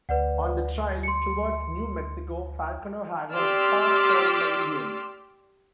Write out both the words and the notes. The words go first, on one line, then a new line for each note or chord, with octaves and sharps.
On the trail towards New Mexico, Falconer had his horse stolen by Indians.
D2 B4 D5 F#5
C6 C#7
G4 D5 C6 D6 E6 F6